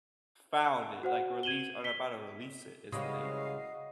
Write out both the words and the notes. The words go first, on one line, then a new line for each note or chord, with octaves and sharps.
found it, like, release or about to release it, is the thing.
F#4 C5 F#5
G#6 D#7 E7 F#7 G7
B6 G7
C2 C#3 E3 G3 G#3 F#4 D#5 F5